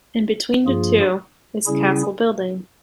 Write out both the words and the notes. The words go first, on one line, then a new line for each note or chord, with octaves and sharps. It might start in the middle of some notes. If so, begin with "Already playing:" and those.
In between the two, is Castle building.
G2 F3 A#3 F4 G#4
C#3 G3 C#4 E4 G#4